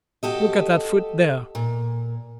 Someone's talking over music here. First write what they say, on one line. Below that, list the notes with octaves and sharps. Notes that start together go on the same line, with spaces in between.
Look at that foot there.
F#4 G4 A4 D#5
A#2